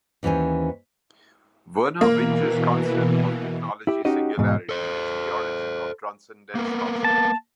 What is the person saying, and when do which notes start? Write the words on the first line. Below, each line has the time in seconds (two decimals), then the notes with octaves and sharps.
Vernor Vinge's concept of "technological singularity" is the origin of the Transcendence concept.
0.23 D#2 E3 C#4 C5 G#5
2.01 B2 E3 A#3
3.87 E4 G4
4.05 C#4 D#4 F#4 G4 D#5
4.38 E2 G#2 B2
4.69 A4 C5
6.55 A#3 B3 A#4
7.04 A5